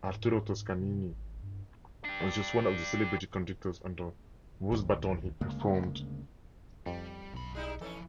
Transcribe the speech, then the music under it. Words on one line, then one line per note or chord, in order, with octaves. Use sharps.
Arturo Toscanini was just one of the celebrated conductors under whose baton he performed.
G#2
G#2
C3
G#1
G2
D4 G4
A#1 D#2
D2 C#3 G#3 A#3
F2 G3
B1 F#2 B5
G3 D#4 E4 G#4
E3 F3 C#4 E4 A4